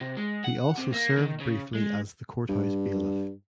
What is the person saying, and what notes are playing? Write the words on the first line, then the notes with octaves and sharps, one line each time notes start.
He also served briefly as the courthouse bailiff.
C3
G#3
F#5
C3
A#3
D#3
C#3
G#3
G2